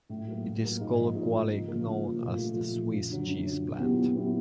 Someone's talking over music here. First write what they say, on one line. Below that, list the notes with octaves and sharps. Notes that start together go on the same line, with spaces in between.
It is colloquially known as the "Swiss cheese plant".
A2
F#3 A#3
A2
F#3 A#3
G#2
F3
A#3
G#2
F3 A#3
C#3
F3 A#3
C#3
F3 A#3
A#2
A3
F3
A#2
F3 A3
F#2
D3 F#3
F#2
D3 F#3
A#2
F#3 B3 E4 G4
A#2
F#3 B3 E4 G4